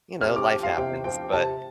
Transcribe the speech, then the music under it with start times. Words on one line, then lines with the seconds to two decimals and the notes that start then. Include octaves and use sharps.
you know, life happens, but
0.21 C3 F6
0.36 D6
0.49 F3 C4 G4
0.63 F5
0.77 C3 G5
1.04 F3 C4 G4 G5
1.32 C3 A5